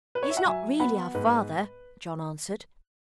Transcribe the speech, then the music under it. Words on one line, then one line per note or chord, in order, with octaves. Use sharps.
'He is not really our father,' John answered.
B4
C#5
E5
F#5
F#3 E5 G#5
B3 F#5 B5
G#2 B4